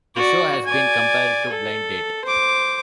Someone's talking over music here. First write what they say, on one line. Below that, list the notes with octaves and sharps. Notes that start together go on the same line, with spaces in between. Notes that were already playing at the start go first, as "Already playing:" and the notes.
The show has been compared to "Blind Date".
F#4 D5
D5 G#5
A4
C5 D6